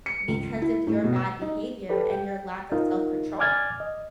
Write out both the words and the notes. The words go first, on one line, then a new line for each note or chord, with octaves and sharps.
because of your bad behavior and your lack of self-control.
C#7
C#2
E4
A2
B2
E6
D#4
G4 A4 B4 D5
G5
D#4 F4 A#4
D5 G#5 D6 F6 G#6 A6
D#5